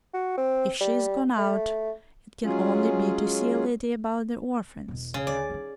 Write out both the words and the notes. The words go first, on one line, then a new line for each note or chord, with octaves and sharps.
If she's gone out, it can only be to see a lady about the orphans.
F#4
C4
G3
A3
F#3 G#3 C#4 F4 G#4
E1 B2
C#3
D2 D5
C#4 D#4